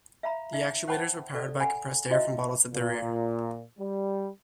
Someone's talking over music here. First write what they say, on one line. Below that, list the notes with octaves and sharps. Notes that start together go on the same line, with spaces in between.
The actuators were powered by compressed air from bottles at the rear.
E5 F5 A#5 B5
D#4 E5
C5 F#5 G5 A5 B5
A4 D5
F#5 G#5 B5
E4 F#4 D#5 E5
A#2
G3